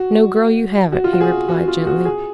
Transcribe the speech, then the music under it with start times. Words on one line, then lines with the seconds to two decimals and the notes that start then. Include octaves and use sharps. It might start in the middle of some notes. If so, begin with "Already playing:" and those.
"No, girl, you haven't," he replied gently.
Already playing: F#4
0.92 F#4
1.04 F4
1.13 F#4
1.21 G#4
1.49 F#4
1.68 F4
1.87 F#4
2.05 G#4